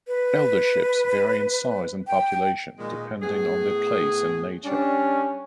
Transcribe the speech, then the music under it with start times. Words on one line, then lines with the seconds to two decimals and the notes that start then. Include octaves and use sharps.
Elderships vary in size and population depending on their place and nature.
0.08 B4
2.07 G5
2.78 A#2 D#3 G#3
3.22 A2 B3 G#4
4.65 G3 C#4 D4